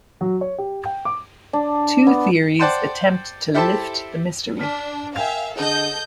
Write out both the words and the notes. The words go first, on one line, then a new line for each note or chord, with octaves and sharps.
Two theories attempt to lift the mystery.
F#3
C#5
G4
G5
D6
D4
B3
C5 D5 F#5 G5 A5 C6
E4 G4 A4 C5 E5 A5
D4 F6 B6
A#4 E5 F5 G5 G#5
D3 G#4 A4 D#5 G6